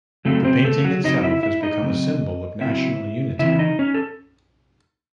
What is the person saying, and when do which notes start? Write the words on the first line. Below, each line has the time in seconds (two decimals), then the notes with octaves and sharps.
The painting itself has become a symbol of national unity.
0.25 C#3 F#3 A3 C4 A4
0.44 C4 C5
0.65 A3 A4
0.84 F#3 F#4
1.04 C#3 F#3 C4 D#4 D#5
1.23 E4 E5
1.43 E4 E5
1.63 D#4 D#5
1.82 C#3 F#3 C4
2.61 C#3 F#3 C4 E4 E5
3.39 C#3 E3 C4 E4 E5
3.59 D#4 D#5
3.79 C#4 C#5
3.94 A4